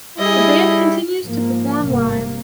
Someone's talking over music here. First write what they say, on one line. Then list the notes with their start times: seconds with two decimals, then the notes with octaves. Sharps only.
The band continues to perform live.
0.18 G3 E4 G#4 D#5
1.22 G#2 F3 A#3
1.84 G#1 G2 C3 A#3